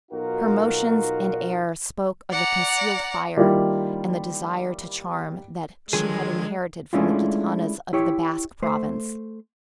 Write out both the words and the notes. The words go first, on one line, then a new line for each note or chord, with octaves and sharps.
Her motions and air spoke of the concealed fire and the desire to charm that she had inherited from the /gitanas/ of the Basque province.
B1 B2 D#4 F4 F#4 A#4
D5 F#5 A#5
D#3 G3 A#3 E4 F4 G4
D3 D#3 F3 F#3 G#3 G#4 G#6
G#3 A3 C#4 D4 E4 F4
E4 G4 C#5
A3 C5